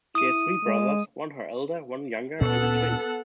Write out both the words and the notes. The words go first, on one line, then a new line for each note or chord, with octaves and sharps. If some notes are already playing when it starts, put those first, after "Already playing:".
She has three brothers, one her elder, one younger and a twin.
E4 D#6 D#7
G#3
D2 A#2 B3 C#4 A4 F#5